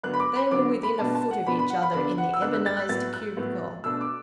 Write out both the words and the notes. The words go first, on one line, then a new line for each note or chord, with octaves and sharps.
They were within a foot of each other in the ebonised cubicle.
D3 F#3 B3 D4 F#6
B5
D6
B5
D3 F#3 B3 D4 D6
B5
B2 B3 D4 A5
A5
F#5
B2 B3 D4 B5
B5
F#5
B5
D3 B3 D4 B5
F#5
E6
D3 B3 D4 F#6
F#6
A6
F#6
A2 F#3 B3 A6
F#6
A2 F#3 B3
B2 A3 D4 E6
D6